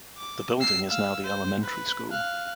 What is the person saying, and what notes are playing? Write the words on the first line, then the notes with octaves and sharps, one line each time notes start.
The building is now the elementary school.
D6
E6 C7
F5 E6
C5
B4
F5 F#6